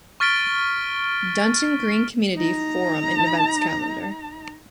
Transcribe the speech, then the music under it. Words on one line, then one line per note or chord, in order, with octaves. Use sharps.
Dunton Green Community Forum and events calendar.
C#6 F6 A6 B6 D7 G7
D#4 A#5